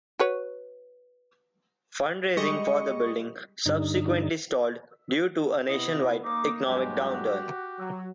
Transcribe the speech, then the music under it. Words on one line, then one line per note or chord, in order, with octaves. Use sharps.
Fundraising for the building subsequently stalled due to a nationwide economic downturn.
F#4 B4 C#5
G3 G#3 D#5 C#6
G2 D3 D#4
C3 B3 E4 D#5
A#3 D#4 D6
G2 F#3 G#3 F#4 G4
F#3